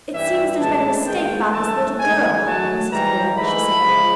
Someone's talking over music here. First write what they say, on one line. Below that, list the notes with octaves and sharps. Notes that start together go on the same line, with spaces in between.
"It seems there's been a mistake about this little girl, Mrs. Blewett," she said.
G2 E3 G3 E5
A2 E3 G#3 A5
G#2 D#3 G#3 G5
G2 E3 A3 A5
G#2 D#3 G#3 G#5
F#2 D#3 F#3 A3 A5
G#2 E3 G3 A#5
G#2 E3 A3 B5
C#3 F3 G#3